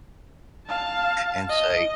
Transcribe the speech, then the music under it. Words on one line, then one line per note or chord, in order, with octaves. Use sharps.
and say
F5 A5
D#5